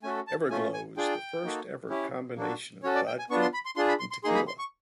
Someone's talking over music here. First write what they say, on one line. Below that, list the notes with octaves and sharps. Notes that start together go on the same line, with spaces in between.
Everglo is the first ever combination of vodka and tequila.
A3 C#4 F#4 A4 G#5
A5
A3 C#4 F4 G#5
G#5
D4 F4 G#4 G5
A#3 D#4 F#4 A4
C#4 E4 G4
A#3 D4 F#4 A4
C#4 F#4 A4 C#5
D5
G5
G#5
B3 D4 F4 C#6
C6
B5
C6
D4 F4 G#4 C6
B5
C6
C6
A#3 D#4 G#4 C6
B5
C6
C#6